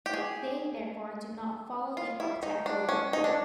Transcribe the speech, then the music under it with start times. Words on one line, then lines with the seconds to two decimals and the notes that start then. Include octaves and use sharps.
They therefore do not follow the octet rule.
0.06 G4
0.14 G#4
1.97 F4
2.20 E4
2.43 D#4
2.66 D4
2.89 C#4
3.13 D#4
3.24 D4